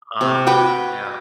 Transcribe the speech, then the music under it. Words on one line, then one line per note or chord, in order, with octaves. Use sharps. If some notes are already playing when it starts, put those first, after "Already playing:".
um yeah,
C3
F#4 G4 B4 G5